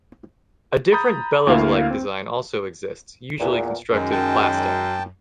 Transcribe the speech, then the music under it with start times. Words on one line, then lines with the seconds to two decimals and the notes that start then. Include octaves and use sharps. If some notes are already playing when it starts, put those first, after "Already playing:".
A different bellows-like design also exists, usually constructed of plastic.
0.92 A#5 B5 D#6 G6 A6
1.47 D2 A#3 E4 F5
1.91 C4
3.39 E2 A#2
3.92 F#2 D#3 G#3
4.12 G5 A5